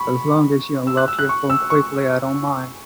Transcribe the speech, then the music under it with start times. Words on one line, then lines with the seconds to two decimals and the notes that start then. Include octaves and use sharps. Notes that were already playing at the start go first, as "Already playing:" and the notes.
As long as you unlock your phone quickly I don’t mind.
Already playing: B5 C#6
0.87 E6
0.97 F#6
1.08 E6
1.19 F#6
1.29 C#6
1.50 E6
1.70 C#6